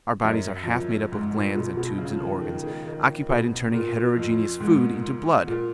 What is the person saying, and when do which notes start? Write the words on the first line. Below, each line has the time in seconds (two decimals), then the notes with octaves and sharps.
Our bodies are half made up of glands and tubes and organs, occupied in turning heterogeneous food into blood.
0.24 F#2
0.63 F2
0.68 F#2
1.12 G#2
1.33 A#2
1.54 B2
1.77 B2
1.98 C#3
2.10 F3
2.20 D#3
2.42 D#3
2.63 D#3
2.85 D#3
3.29 B2
3.73 A#2
4.17 F2
4.60 G#2
5.47 A#2